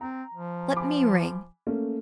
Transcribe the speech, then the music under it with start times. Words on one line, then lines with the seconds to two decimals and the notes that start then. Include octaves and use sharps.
Let me ring.'
0.01 C4 A#5
0.34 F3
0.77 G#5 B5 D6
1.67 A3 A#3 C#4